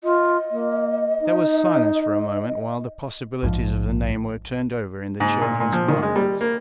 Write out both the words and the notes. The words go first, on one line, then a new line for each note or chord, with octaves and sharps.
There was silence for a moment while the possibilities of the name were turned over in the children's minds.
F4 D#5
A#3
D#4
A#1 G#2 B2 F3
G#2
A#2
A#2
F3
D#3
G#3
G3
A#3